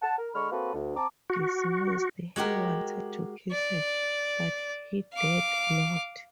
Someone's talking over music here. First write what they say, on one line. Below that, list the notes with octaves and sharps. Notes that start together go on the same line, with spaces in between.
Dismissed, he wanted to kiss her, but he dared not.
F#5 A5
A#4
D3 G#3 B5 C#6 F6
A#3 C4 F#4 A4 B4
D2
C4 A5 A#5 D6
F#4
G#3 F#4 G4 A#4
D5
F5 D6